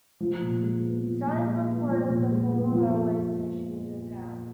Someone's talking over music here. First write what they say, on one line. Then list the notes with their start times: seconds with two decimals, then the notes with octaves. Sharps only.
Sallybrook was the former railway station near the town.
0.20 F3
0.41 A#2
0.62 G#3
0.83 B3
1.05 F3
1.26 A#2
1.46 G#3
1.68 B3
1.88 F3
2.09 A#2
2.31 G#3
2.52 B3
2.72 F3